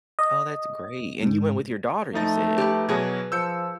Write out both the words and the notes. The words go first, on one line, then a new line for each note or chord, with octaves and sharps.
Oh, that's great, and you went with your daughter, you said?
D#5
G#2
F3 A3 D#4 A6
G4 B4
B2 F#3 G#4 B4
F3 E6 G6 C#7